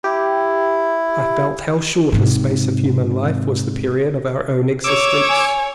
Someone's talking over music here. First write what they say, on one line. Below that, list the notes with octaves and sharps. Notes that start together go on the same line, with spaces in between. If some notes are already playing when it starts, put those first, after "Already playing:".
I felt how short a space of human life was the period of our own existence.
E4 G4
G#2 C3
C#5 D6 E6
G#5